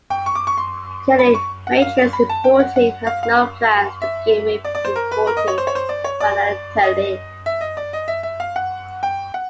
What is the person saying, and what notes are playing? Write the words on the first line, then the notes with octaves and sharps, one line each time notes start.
Currently Matrics Importing has no plans to begin re-importing Vana Tallinn.
G5
C#6
D6
C#6
C6
B5
C#6
F#5
F5
B5
A5
G5
F#5
F#5
F5
F5
E5
D5
D5
C5
A#4
B4
A#4
D#5
C#5
C5
C#5
C5
D5
C#5
D5
D#5
E5
D#5
D5
D#5
E5
E5
F5
F#5
G5
F#5